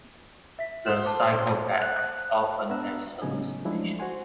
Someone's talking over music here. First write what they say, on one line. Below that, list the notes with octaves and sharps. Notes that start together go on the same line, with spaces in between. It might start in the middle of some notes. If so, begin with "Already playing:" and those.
The psychopath often has hallucinations.
E5 B6
C6 D#6 E7
C5 A5 D6
F#6
B3 D4 E5 A#5 E6 F#6
A2 C#3 F#3 B3 D#4 G#5
F3 F#3 G#3 A3 D4 E4
F#4 C5 F#5 G#5 C6